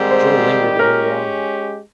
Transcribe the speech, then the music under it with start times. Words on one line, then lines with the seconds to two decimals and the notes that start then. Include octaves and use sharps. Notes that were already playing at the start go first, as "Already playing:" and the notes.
Joe lingered a little longer.
Already playing: G#2 D#3 G3 C4 G4
0.11 C5
0.78 G#3 C#4 G4 A#4